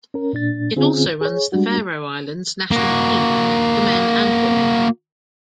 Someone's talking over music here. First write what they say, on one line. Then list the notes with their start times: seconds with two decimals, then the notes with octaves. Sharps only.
It also runs the Faroe Islands national teams for men and women.
0.14 C#4 A#4
0.33 A#2 D4 A6
0.76 D3 C4 C#4 F4 G#4
1.21 G#4 C#5
1.52 G3 G#3 D4 F#4
2.71 A#3 F#4